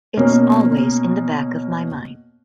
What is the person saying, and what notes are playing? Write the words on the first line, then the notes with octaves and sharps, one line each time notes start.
It's always in the back of my mind.
B2 A#3 C#4